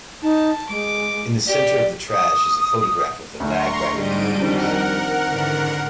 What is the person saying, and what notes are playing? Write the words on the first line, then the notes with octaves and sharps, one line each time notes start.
In the center of the trash is a photograph of the Lagwagon members.
D#4 A5
G#3 D6
G4 D5
D#6
D2 A#5 C6 C#6
F2 G#2 D3 G3 D#5 D7 D#7
D#3 C4 D4 A#4 F#5
G#2 D3 E3